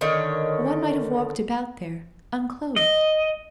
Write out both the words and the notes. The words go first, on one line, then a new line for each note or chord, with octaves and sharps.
One might have walked about there, unclothed.
D3 D#3 C#5
D#5